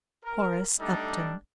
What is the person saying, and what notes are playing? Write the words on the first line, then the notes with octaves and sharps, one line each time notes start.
Horace Upton.
A#4
G3 A3 D4 D#4 A4 D5